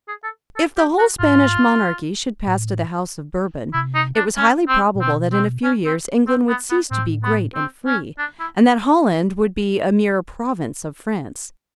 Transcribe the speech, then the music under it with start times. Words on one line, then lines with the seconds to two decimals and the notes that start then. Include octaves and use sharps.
If the whole Spanish monarchy should pass to the House of Bourbon, it was highly probable that in a few years England would cease to be great and free, and that Holland would be a mere province of France.
0.08 G#4
0.24 A4
0.56 A4
0.77 G4
0.98 F#4
1.19 G#2 F4
2.47 A2
3.73 C3 E4
3.95 D#4
4.16 D4
4.37 C#4
4.68 C4
4.95 A#2
5.01 B2 C4
5.32 C4
5.64 C#4
5.86 C4
6.28 C4
6.49 B3
6.70 B3
6.91 A2 C4
7.24 B3
7.55 C4
7.87 C#4
8.18 D4
8.40 E4